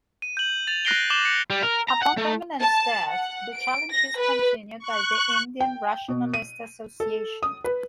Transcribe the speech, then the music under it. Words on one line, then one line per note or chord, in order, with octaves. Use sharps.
Upon Premanand's death, the challenge is continued by the Indian Rationalist Association.
D#7
G6 F#7
A6 F7
F#6 A#6 C7 D7 G7
D6 C7 E7 F#7 G7
C#7
G3
A#4
A#5
F#5
A3
A5
F#5
D7
A#6
B4
C#6 F#6
G5
B2
D#7
A4
D#6
B4